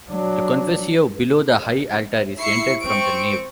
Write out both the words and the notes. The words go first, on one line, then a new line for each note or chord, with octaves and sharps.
The confessio below the high altar is entered from the nave.
F#3 D4
E4 C#6 C7 C#7
C4 C#6 D7